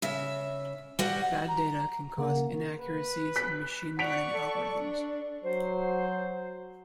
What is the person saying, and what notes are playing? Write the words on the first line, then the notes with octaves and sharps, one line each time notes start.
Bad data can cause inaccuracies in machine learning algorithms.
C#3 E5
G3 F#4 F#5
A#5
C#3 A#3 F#5
B4
F#6 B6
D5 F#5 C#6 B6 D7 F7
A4
D4
F#3 C5